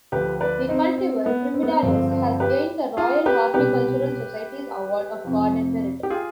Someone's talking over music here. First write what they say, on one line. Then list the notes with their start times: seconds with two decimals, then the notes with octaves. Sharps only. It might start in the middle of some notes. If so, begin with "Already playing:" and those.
The cultivar 'Pyramidalis' has gained the Royal Horticultural Society's Award of Garden Merit.
0.12 D2 D3 F3 G4 B4
0.41 B4 D5
0.69 C4 D#4
0.98 C4
1.26 B3
1.54 C4
1.63 B3
1.70 C4
1.83 G2 D3 F3 C4
2.11 C4
2.40 G4 B4
2.97 F4 G#4
3.26 G4 B4
3.54 C2 B2 G3 G4 B4
5.25 F2 C3 F3
6.03 G4
6.10 F4 G#4